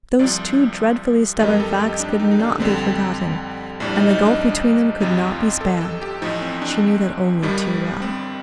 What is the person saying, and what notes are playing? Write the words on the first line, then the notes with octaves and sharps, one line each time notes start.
Those two dreadfully stubborn facts could not be forgotten, and the gulf between them could not be spanned; she knew that only too well.
C2 C3 F3 D5
F2 D#3 G3 D#5
A4
G4
D4
D#4
D#4
D4
F2 D3 G3 C4
A#1 A2 G3 D4
D#4
D#4
D4
D#4
D4
G1 F2 C3 F3 D#4
F4
A4
A4
G4
A1 A2 F3 D#4
C4
D4
G1 G2 D#3 G3
C4